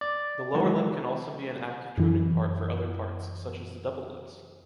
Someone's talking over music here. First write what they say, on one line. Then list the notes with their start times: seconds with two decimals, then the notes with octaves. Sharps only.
The lower lip can also be an active tuning part for other parts, such as the double lips.
0.01 D5
0.54 D#3 E3 F#3 G#3 F#4
1.98 F#2 E3